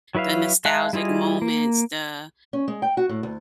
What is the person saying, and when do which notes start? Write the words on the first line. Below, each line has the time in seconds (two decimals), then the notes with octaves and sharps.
the nostalgic moments, the
0.15 F#3 E4 B4 E5 F5
0.65 G#3 E5 F5 A5 F#6
0.93 G3 E4 F4 G#4 D#5
1.42 A#3
2.53 C#4
2.68 G#3
2.82 G5
2.97 F#4
3.09 A2
3.23 D2